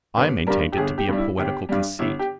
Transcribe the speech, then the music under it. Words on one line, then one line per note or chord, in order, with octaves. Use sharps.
I maintained it to be a poetical conceit.
G1 B4
G2 G3 A#4
G4
G1 G#4
G4
G2 G3
E4
G1 G4
G2 G3
G1 E4
G4